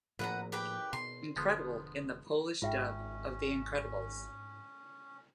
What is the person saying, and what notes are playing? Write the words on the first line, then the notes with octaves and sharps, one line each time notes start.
Incredible in the Polish dub of "The Incredibles".
G#1 A2 F3 A#3 B4 F#5 A#5
G4 B4 G5
B2 C6
E1 D3 F3 G#3 B3
G#1 G#2 C#4 F4 E5 G5